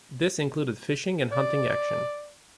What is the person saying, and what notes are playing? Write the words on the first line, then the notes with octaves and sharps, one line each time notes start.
This included fishing and hunting action.
D5